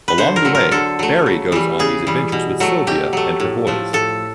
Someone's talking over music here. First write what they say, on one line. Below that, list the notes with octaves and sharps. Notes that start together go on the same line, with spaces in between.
Along the way, Barrie goes on these adventures with Sylvia and her boys.
B4
D3 C5
A#4
F#3 A3
A#4
D3 A4
F#3 A3
C#3
E3 G3
C#3 G#4
E3 G3
B2
F#3 A3
B2 G4
F#3 A3
A2
F3 A3
A2 A4